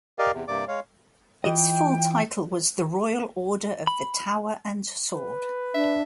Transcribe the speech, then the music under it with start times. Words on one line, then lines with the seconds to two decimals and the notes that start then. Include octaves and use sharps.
Its full title was "the Royal Order of the Tower and Sword".
0.19 G4 A#4 D5 D#5 F5
0.34 E2 C3
0.48 G2 C3 A#3 D5 D6
0.68 G#3 C#5 F5
1.44 E3 F4 D#5 G5
3.87 B5
5.15 B4
5.74 D4 E5